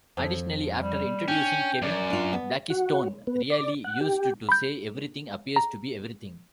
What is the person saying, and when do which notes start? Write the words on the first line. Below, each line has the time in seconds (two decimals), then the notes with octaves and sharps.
Additionally, after introducing Kevin Blackistone, Reali used to say Everything appears to be everything.
0.17 F2
0.81 G3
1.28 C#4 D4 G5
1.82 F#2 D5
2.10 D4 F4
2.33 B3
2.70 F#4
3.27 B3
3.50 D5
3.84 F#5
4.01 G4
4.49 B5 G6
5.56 A#5